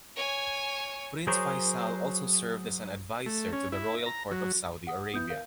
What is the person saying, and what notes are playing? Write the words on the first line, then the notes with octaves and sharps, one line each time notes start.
Prince Faisal also served as an adviser to the Royal Court of Saudi Arabia.
C#5 G#5
F#3 G#4 A#4 C5 C#5
A3
C#4
E4
A#5
F#3
F#5 D#6
B3 E4 D#6 G6
A#4 F5 G6